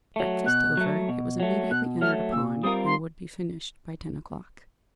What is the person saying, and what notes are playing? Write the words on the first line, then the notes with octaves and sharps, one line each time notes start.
Breakfast over, it was immediately entered upon, and would be finished by ten o'clock.
F#3 A3
B2 F#6
F#3 A3
B2
F#3 A3
B2 F#6
F#3 A3 F6
A#2 E6
G3 C4 F4 A#4 D#6
C6